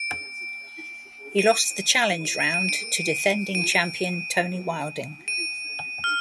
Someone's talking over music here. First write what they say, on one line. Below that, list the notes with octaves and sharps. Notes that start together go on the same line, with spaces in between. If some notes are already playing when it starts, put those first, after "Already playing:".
He lost the Challenge Round to defending champion Tony Wilding.
Already playing: D7
D#7
D#7
D#7
D#7
D7
D#7
D#7
F6